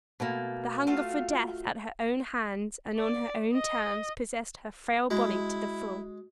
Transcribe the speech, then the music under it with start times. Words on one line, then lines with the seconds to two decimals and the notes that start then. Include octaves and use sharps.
The hunger for death at her own hands and on her own terms possessed her frail body to the full.
0.20 B2 A3 A#3
0.87 A3 F4 F#4 F5
2.97 D5
3.53 D#5
5.10 G#3 E4 F#4